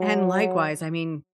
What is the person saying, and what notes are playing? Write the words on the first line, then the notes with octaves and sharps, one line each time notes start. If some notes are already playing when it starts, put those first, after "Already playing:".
and likewise, I mean
Already playing: F#3